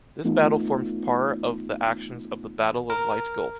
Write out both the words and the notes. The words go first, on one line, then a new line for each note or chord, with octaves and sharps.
This battle forms par of the actions of the Battle of Leyte Gulf.
E3 A3 B3 D#4 F4
A#4